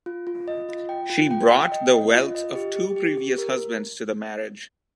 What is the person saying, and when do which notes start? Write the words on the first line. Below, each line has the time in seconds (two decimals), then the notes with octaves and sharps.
She brought the wealth of two previous husbands to the marriage.
0.06 F4
0.27 F4
0.48 D#5
0.69 F4
0.89 G5
1.10 F4
1.31 G5
1.51 G5
1.72 D#5
1.93 D#5
2.14 F4
2.35 D#5
2.55 G4
2.76 G4
2.96 G4
3.18 G4
3.38 A#4